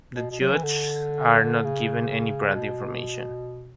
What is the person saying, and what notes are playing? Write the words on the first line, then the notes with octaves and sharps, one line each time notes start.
The judges are not given any brand information.
B2
B2
F#3
E3
D3
C#3
B2